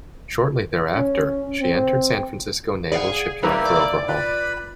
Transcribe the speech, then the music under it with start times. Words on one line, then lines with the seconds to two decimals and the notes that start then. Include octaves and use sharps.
Shortly thereafter, she entered San Francisco Naval Shipyard for overhaul.
0.96 C#4
1.61 C4
2.92 G#4 D5 F5 F#5
3.43 G3 A#3 D#4 E4 B4 A#5
3.65 D5
4.08 F4 B4 B5